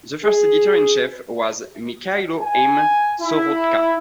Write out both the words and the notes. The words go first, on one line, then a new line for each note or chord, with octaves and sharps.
The first editor-in-chief was Mykhailo M. Soroka.
G#4
G#5
E4